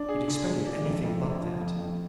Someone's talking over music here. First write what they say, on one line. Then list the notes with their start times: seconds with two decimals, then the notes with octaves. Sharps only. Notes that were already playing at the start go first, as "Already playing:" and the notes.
He had expected anything but that.
Already playing: D4
0.09 G#4
0.28 D3
0.46 G#3
0.66 D4
0.84 F2
1.03 F2
1.22 D3
1.41 F3
1.60 F2
1.79 F2